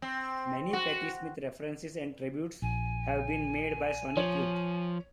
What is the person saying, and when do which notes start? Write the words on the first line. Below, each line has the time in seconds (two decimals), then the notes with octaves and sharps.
Many Patti Smith references and tributes have been made by Sonic Youth.
0.02 C4
0.73 F#4
2.62 A#1 G#5
4.17 F3 C#5